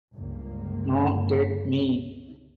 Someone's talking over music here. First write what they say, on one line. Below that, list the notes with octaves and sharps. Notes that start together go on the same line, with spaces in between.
Noh Tek Mi!
G1 C#2 A#3